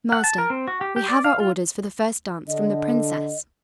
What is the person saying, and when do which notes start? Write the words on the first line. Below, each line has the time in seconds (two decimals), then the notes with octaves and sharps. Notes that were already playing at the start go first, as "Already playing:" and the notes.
"Master, we have our orders for the first dance from the princess."
0.12 F#5
0.24 A5
0.38 A#4
0.50 C4
0.68 F#4
0.81 G4
0.96 G4
1.09 D5
1.24 F5
1.40 F4
2.48 D3 D#5